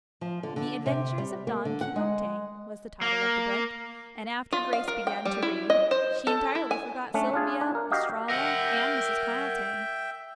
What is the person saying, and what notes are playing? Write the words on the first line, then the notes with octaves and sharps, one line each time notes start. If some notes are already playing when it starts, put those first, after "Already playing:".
"The Adventures of Don Quixote," was the title of the book, and after Grace began to read she entirely forgot Sylvia, Estralla, and Mrs. Carleton.
F3
D3
D3
C3
G3
A#3
D3
F#5
G#3
A#3
F4
F5
A#4
G5
G3
E4
D#5
C5
A4
E4
G#5
A3 C#4 D4
D4 F4 G#4
D4
A#4
F#4 G4 D#5 F5
A#4 E5 F#5 G5